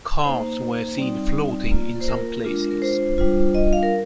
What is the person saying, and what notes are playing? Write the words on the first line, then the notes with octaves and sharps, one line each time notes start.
Cars were seen floating in some places.
A#3 D#4 C5
G3 C4 D#4 D5
A#3 F4
C5
A#4
G#3 D4 F4
A#4
C5
G3 D4 F4
D#5
F5
A#4